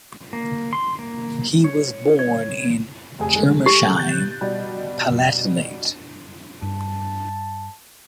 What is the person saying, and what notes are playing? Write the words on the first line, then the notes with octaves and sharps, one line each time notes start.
He was born in Germersheim, Palatinate.
A#3
C6
A#3
C#5
C#5
F1 G#4 G#5
G#3 A3
G4
F#6 G6 A6
B2 G3
G2 A5